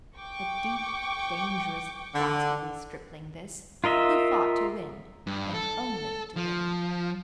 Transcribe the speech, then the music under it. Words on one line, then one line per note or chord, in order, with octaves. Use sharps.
A deep, dangerous, dastardly stripling this, who fought to win and only to win.
G5 C#6 D6
D3
F4 A#4 D#5 E5
G2
A4
F3